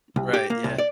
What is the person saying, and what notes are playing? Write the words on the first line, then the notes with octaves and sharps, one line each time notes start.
Right. Yeah.
C2
G4
A#3
C2
D5